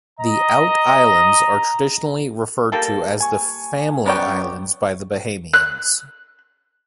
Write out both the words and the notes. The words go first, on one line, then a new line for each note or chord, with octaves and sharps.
The Out Islands are traditionally referred to as the Family Islands by the Bahamians.
D#5 A#5
G3 A#3 A4
G#5 C#6
F#2 B3 A#4 C#5 D5 G5
F#6